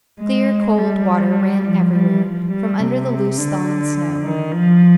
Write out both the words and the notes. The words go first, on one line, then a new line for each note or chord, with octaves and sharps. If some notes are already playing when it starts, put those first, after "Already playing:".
Clear cold water ran everywhere from under the loose, thawing snow.
G#3
G3
F3
G3
F3
G3
C3
D3
D#3
F3